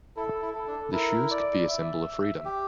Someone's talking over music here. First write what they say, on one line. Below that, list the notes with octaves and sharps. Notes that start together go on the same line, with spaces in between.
The shoes could be a symbol of freedom.
E4 A4
E4
A4
D4
E4 A#4
D5
E5
G4